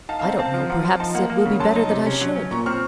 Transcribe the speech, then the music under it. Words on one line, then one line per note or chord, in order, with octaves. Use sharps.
"I don't know; perhaps it will be better that I should."
D#4 F5 A5
F5 A5
C4 F#5 A#5
C4 F5 A5
F3
F3 F#5 A#5
F3 A5 C6
D#4 A5 C6
A#3 F#5 A#5
A#3
C#3
F#3 A5 C6
D#4
C3
C#4
F#3
C#4
A#2 A#5 C#6
C4 C#6 F6